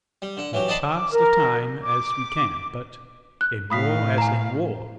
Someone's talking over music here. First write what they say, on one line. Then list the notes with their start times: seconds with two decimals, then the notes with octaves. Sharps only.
We pass the time as we can, but in war as in war!
0.22 G3
0.37 D3 F#5
0.53 E3 F#3 G4
0.68 D5 D#5 F#5 A5 B5 C6
0.85 D6
1.11 A#4
1.83 D6
3.41 F#6
3.70 A2 F5 B5 D#6 B6
4.18 G#5 A#5